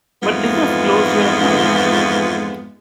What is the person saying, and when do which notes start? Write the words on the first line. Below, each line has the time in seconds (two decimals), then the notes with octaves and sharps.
But they've closed your account.
0.22 F2 G#2 E3 G#3 B3 F4